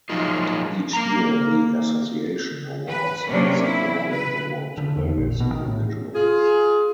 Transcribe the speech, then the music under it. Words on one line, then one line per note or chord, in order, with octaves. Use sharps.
Each year the Association awards its Caring Award to various individuals.
F3 F#3 G#3 A#3 D#4 F4
A#3 A#5
B4
C3 F#3 A#3 C#4 D4
E4
B4
D3
E2
A#1
B2
D#3
A2
F4 G#4